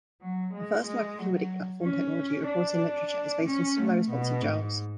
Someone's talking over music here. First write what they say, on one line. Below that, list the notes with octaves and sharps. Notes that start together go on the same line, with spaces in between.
A first microfluidic platform technology reported in literature is based on stimuli-responsive gels.
F#3
G#3
G#3
F#3
C#4
D4
C#4
A3
B2
G#2